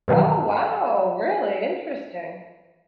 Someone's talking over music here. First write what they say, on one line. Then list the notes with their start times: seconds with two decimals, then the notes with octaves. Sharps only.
Oh, wow, really? Interesting.
0.08 G2 B2 D#3 E3 F#3